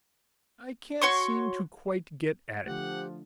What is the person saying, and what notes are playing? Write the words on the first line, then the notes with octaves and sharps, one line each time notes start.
I can't seem to quite get at it.
F#4 C#5 C6 C#6
D3 F3 A3 G4 F#5